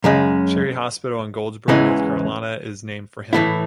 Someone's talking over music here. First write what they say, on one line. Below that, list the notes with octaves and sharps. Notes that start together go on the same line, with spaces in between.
Cherry Hospital in Goldsboro, North Carolina, is named for him.
F#2 C#3 G#3
E2 C#3 E3 G#3
A2 E3 A3 E4